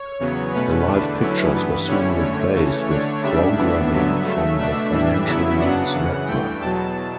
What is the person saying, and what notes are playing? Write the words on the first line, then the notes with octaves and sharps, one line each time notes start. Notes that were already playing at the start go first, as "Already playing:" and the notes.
The live pictures were soon replaced with programming from the Financial News Network.
Already playing: C#5
E2 C#3 F#3 B3
B2 A3 C#4 B4
E2 D3 A3 D4
D3 F#3 A3 C#4 E4
G2 E3 B3
D3 G3 C#4 E4 C#5
F#2 D3 A3 C#5
C#3 E3 A3
D3 A3 D4 C#5
C#3 G3 D4 E5
A2 E3 B3 D4
G2 D3 F#3 B3
C#3 F#3 A3
B2 A3 D4 E5
A2 E3 G3 D4
E2 C#3 F#3 B3 E4
C#3 F#3 B3 D4 F#5
F#2 C#3 E3
G2 E3 A3 G5
E2 B2 F#3 A5